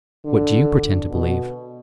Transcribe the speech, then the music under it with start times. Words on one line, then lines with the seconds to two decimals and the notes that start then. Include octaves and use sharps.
What do you pretend to believe?'
0.25 D3
1.11 B2